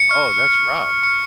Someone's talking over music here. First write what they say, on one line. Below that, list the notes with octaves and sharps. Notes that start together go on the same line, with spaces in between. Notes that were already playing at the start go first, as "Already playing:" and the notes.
Oh, that's rough.
Already playing: C#7
C#6 F6
C#6 F6 C#7